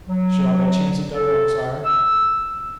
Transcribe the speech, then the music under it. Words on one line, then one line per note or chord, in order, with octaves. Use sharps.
"Should I by chance have done wrong, sire?"
F#3
A4
E6